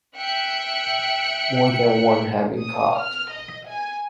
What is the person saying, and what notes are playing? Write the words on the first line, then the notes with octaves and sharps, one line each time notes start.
More than one had been caught.
E5 G5 F#6 C#7
D#6
F6
D#5
G#5